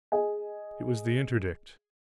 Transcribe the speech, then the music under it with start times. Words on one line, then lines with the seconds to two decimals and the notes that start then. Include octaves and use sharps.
It was the INTERDICT!
0.12 G#4 D#5 G#5